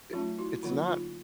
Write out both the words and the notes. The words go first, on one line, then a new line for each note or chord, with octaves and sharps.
i it's not
F#3 A3 C#4 D#4 F4
E4 F#4
D3 F#3 A#3 D#4 F4
D#4 F4